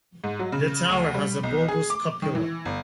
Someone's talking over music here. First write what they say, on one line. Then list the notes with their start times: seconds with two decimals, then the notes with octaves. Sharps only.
The tower has a bulbous cupola.
0.24 G#2
0.39 F#3
0.52 C#3
0.89 D2
1.14 G3
1.43 B1
1.68 G#4
1.90 D6
2.22 D#3
2.35 E3
2.65 G1